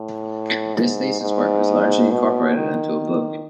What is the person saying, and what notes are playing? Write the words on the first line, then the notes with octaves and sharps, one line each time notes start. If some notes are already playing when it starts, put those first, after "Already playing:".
This thesis work was largely incorporated into a book.
Already playing: A2
G#2
G#2
B2
D#3